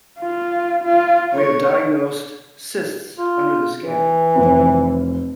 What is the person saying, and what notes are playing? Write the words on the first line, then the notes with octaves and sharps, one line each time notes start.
We have diagnosed cysts under the skin.
F4
F4
C#5
F4
E3 B4
F1 C4